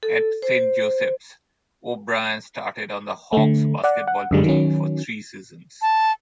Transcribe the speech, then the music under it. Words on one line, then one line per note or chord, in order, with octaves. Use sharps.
At Saint Joseph's, O'Brien started on the Hawks basketball team for three seasons.
A4
C5
D3 A3
D5 F#5
F#5
F#2 D3 G3 G#3
D#3 F#3 C#4
A5